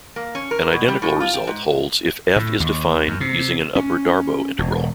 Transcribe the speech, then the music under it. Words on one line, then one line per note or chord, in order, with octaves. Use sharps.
An identical result holds if "F" is defined using an upper Darboux integral.
A#3
C#4
A#4
B2
G3
A2
F4
G5
G#2
A2
D#2
F#2
C3
C#4
E1